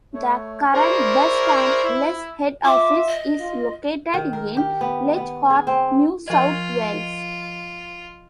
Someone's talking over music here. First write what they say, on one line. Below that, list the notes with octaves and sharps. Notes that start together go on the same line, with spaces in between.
The current Best and Less head office is located in Leichhardt, New South Wales.
A3 C#5
E4 G#4 A#4 C5 D5 C6 C#6
E4
F4 E5 D6
D#5
F4
D#3
A#4
G4
B3
B3
G#4
C4
F3 F4 D#5